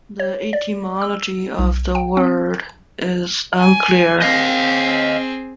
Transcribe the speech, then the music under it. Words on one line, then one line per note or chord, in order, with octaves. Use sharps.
The etymology of the word is unclear.
C#5
D5
E6
B1
G5
C4
G#5
C4 G#4 D#5 F5